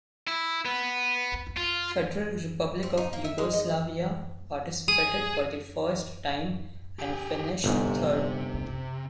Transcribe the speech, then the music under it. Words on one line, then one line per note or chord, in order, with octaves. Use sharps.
Federal Republic of Yugoslavia participated for the first time and finished third.
E4
B3
F4
C4
D#4
A#3
E5
G#3
D#5
G#4 D#6
G4 G#4
G1 G#2 C3